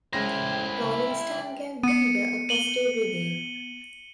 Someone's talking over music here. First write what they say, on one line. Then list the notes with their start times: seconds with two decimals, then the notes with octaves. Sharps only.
"Rolling Stone" gave "Blender" a positive review.
0.13 G#3 C#4 E4 C5 G5 A#6
1.83 B3 C#7 D#7
2.49 D#7 F#7 G7